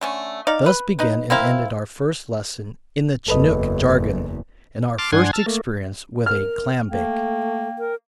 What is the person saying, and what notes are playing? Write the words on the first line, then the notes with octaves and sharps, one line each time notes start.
Thus began and ended our first lesson in the Chinook jargon, and our first experience with a clam bake.
D3 A3 C#4
D#4 D5 F5
B4
D#4 B4
A#3 C4 E4 F5
F#1 E2 A4 B4 D#5
A5 C6 D6 F6
G2 D4 F#5 G#5 C6 G#6
A5 E6 F6
A3 A#3
A#4 F6
A3 A#3 G5
A#4